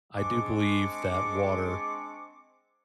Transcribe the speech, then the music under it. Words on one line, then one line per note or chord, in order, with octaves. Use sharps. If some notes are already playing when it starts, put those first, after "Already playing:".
I do believe that water
G#3 C4 D4 G#4 C#6 D6